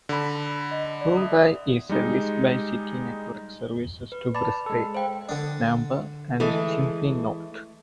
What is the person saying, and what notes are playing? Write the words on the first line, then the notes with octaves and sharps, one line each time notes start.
Woombye is serviced by City network services to Brisbane, Nambour and Gympie North.
D3 B5
D#5
D5
E5 D#6
G3 G#3 D#4
B4
D5 A5 B5
G#3 A4
C5 F5 G5
D3 D4
E3 G#3 A3